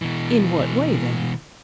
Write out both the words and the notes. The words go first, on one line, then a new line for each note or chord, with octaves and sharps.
"In what way then?"
B2 E3